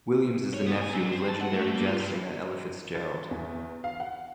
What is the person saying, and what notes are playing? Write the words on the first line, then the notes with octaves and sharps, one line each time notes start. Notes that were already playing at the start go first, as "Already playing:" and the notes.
Williams is the nephew of legendary jazz singer Ella Fitzgerald.
C#5
B3
G#5
F#3
C4
A5
F#5
A3
A#3
F4
G2
A6
E2
F5
F#5